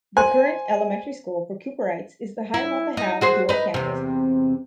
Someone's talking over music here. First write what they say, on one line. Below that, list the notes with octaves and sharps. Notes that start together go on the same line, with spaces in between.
The current elementary school for Cooperites is the Hiawatha-Howe dual campus.
C5 G#5 C6
E4
D#4
F#4 G#4 C5
D#4 B4
E2 C3